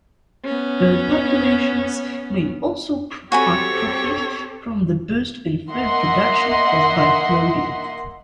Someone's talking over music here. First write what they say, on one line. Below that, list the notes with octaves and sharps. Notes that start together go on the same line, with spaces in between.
Bird populations may also profit from the boost in food production caused by flooding.
B3 C#4
C4 F#4 G4 A4 C#5 G#5 B5
A#3 D#5 E5 F#5 C6